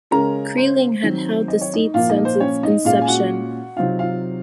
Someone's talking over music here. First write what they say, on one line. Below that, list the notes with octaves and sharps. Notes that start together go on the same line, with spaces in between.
Kreling had held the seat since its inception.
C#3 G#3 C#4 A#4 A#5
C5
D#3 F#3 C4
D#5
C#5
D#4 D#5
A#2 F3 A#3 F4 F5
D#4 D#5
C5
C#4 C#5
D#4 D#5
A#2 G#3 C#4 F4 F5
G#5
F#4 F#5
C3 F#3 C4 D#4 F4 F5
F4 F5